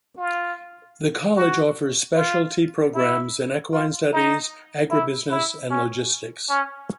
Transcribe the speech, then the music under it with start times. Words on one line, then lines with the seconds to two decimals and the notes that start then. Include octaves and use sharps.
The college offers specialty programs in equine studies, agribusiness, and logistics.
0.18 F4
1.36 F#4
2.15 F4
2.94 E4
3.73 F4
4.13 D#4
4.91 E4
5.31 E4
5.71 C#4
6.49 C#4